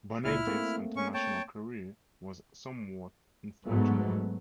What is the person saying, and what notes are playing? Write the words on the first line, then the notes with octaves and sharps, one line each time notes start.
Bonetti's international career was somewhat unfortunate.
C#2 A#2 E4 F6
A3 A#3 C4
C#4 C#6
C#5 G5 A5
G#2 F#3 A3 B3